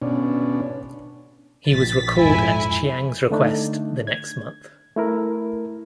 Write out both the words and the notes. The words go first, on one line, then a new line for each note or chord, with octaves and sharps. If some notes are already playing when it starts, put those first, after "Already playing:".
He was recalled at Chiang's request the next month.
B2 C#4 D4
A#1 A6 B6
F2 G#2 E4 G#5
D3 A3 D4 D#4
G#6
A3 E4 A#4